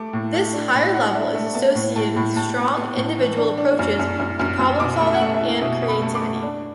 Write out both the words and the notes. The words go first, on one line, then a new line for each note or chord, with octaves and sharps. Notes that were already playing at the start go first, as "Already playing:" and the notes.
This higher level is associated with strong individual approaches to problem solving and creativity.
Already playing: A3 D6
A2
A3
D4
A2 B5
D4 F#5
F#5
D4 E5
A3 E5
B3 A5
A2
A2 A5
A2 B5
A2 A5
B3
B3
A2
E3
D4
D4
F#2
F#2
F#2
F#2
F#2
B2 D6
A3
E5
F#5
A3 E5
E5
E4
B2 E5
B2
B5
A3
D6
A3
D4